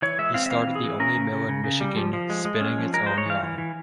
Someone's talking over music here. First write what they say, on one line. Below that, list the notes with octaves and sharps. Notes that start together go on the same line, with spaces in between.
He started the only mill in Michigan spinning its own yarn.
E3 C#5
G#3 E5
C4 F5
E5
E3 F5
E3
G#4
E3
C#4 A#4
C#3
C#3
C#3
C#3
G3
F3
F3
G#3
G#3
C#4
F3
G#3 A#4
G#3 C5
C#5
E3 F5
E3
E3